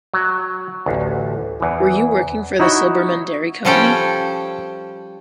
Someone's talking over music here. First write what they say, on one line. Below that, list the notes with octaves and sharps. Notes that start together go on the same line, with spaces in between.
Were you working for the Silberman Dairy Company?
F#3
A1 D2
E2 E3
D#4 E4 F#4 C#5
F3 G3 C#4 A4 G5